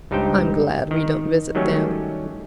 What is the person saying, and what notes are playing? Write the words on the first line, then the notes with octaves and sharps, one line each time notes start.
I'm glad we don't visit them.
C#2 G2 D#4 G4 C5 G5
D#3
D#3 F#3 G3 A3 C#4